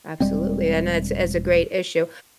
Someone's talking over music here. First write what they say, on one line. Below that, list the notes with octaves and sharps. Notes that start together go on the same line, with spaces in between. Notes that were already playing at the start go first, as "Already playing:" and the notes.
Absolutely, and that's that's a great issue.
E1 G3 G#3 C4